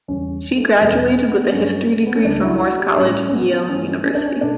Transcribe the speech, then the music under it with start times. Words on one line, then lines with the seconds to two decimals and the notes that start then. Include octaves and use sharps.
She graduated with a history degree from Morse College, Yale University.
0.08 E2 C#3 G3 C#4
0.57 A3
0.81 E2 B2 G3 B3
1.05 B3
1.28 B3
1.52 G2 F#3 A3 C#4
2.06 B3
2.15 C#4
2.25 C#2 C#3 G3 D4
2.43 E4
2.61 F#4
2.79 G4
2.98 A2 G3 C#4
3.29 C#4
3.33 B3
3.69 G2 E3 G3 C#4
4.06 C#4
4.15 D4
4.26 C#4
4.41 B2 A3 D4